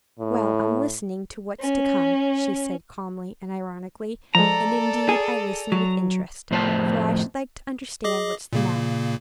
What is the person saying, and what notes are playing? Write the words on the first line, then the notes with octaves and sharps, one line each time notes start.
"Well, I'm listening to what's to come," she said, calmly and ironically; "and indeed I listen with interest, for I should like to understand what's the matter."
A2
C#4
F3 G#3 A4 D5 A#5
G#4
F#3
F2 A2 C5 A5
G#4 D#5 D6
A#2 C#3 A#3